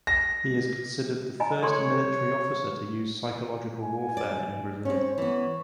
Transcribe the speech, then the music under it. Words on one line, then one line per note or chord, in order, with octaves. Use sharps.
He is considered the first military officer to use psychological warfare in Brazil.
A#6
D#5 G#5 A#5
A4 C#5 C6
G#5
D5
C4 C#4 C#5
E3 B3